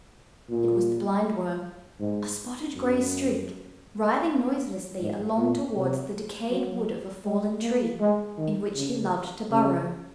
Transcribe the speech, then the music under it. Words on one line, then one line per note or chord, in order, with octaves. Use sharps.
It was the Blindworm, a spotted gray streak, writhing noiselessly along towards the decayed wood of a fallen tree, in which he loved to burrow.
A#2
G#2
F#2
G#2
A#2
C3
F#3
G#3
A#3
G#3
D#3
C#3
C#3